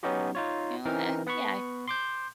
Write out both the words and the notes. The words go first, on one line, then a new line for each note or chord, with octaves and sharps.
you know, eh, yeah, I
F#3 B3 C#4 D#4 F#4 G4
D#4 F4 C#5
E3 C4 D#4 A#4
B3 F#5 B5 C#6
C6 D6 G6